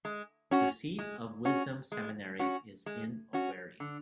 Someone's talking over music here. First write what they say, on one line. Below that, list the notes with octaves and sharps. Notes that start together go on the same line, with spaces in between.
The Seat of Wisdom Seminary is in Owerri.
G#3
C#4 F#4
G#3
C#4 F#4
G#3
C#4 F#4
G#3
C#4 F#4
D3